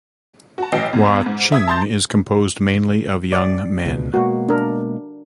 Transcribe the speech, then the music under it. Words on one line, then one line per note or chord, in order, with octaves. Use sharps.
Wah Ching is composed mainly of young men.
F#4 A5
A1 E3 F#3 D#5 G5 C7
E2
G#2
E5 D#6 G#6
A5 A#5 C6 G6 A6
D5
C#2 B2
B2 G#3 A#3 F#4
D4 A#4